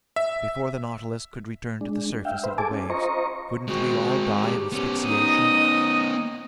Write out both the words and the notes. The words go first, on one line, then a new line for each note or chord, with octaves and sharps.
Before the Nautilus could return to the surface of the waves, couldn't we all die of asphyxiation?
E5
G#3 D4
E5 F5 G5
B4 C5 E5
G#4 A4 G#5 A5 D6
C#4
F4 C5 D#5 A#5 C#6
G#3 C4 F#4
G4
B3 C#4 G4
D#4 D#5 D#6